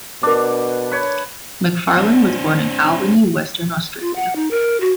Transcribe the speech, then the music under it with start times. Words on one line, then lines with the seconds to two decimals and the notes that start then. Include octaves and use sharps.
McFarlane was born in Albany, Western Australia.
0.23 B2 D4 A#4 D6
0.91 B4 C#5
1.98 C4 D4
4.00 F4
4.16 F#5
4.36 D#4
4.51 A#4
4.81 F#4